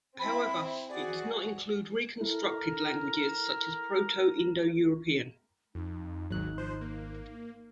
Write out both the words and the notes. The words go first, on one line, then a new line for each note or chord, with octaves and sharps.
However, it does not include reconstructed languages such as Proto-Indo-European.
C4 E4 B5
F#4 G#4 D5
E4 A4 A#4
F2 D#4
G#1 D#2 G#2 F#3 F#6
F3 C5
A#3